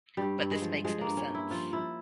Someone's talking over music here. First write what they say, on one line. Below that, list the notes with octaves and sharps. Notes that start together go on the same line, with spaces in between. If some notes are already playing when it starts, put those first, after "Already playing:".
But this makes no sense.
G2 G3
G2
G#3
F3
F3 G#3
A#3
G2
C#4
G2
E4
F3 F4
F3 E4